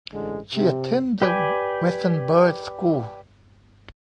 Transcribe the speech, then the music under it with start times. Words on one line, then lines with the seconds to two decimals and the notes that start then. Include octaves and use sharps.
She attended Westonbirt School.
0.12 A1 D3 G#3
0.54 C3
1.22 G4 B4 D5 G5 G#5